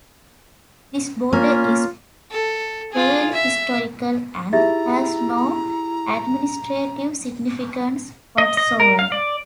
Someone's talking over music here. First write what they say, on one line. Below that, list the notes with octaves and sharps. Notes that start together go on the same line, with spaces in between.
This border is purely historical and has no administrative significance whatsoever.
A#3 C#4 F4
A4
F4 G#4
E5
D#4 E4 G4 G#4 E5 A#5 A6
D#5
D#5
A#4
F5
D5